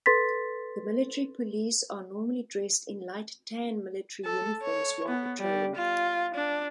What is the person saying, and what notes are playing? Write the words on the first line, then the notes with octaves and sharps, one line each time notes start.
The Military Police are normally dressed in light tan military uniforms while patrolling.
A4 B4 C6 A6 B6
A4
C#5
B3
G3
F4
D4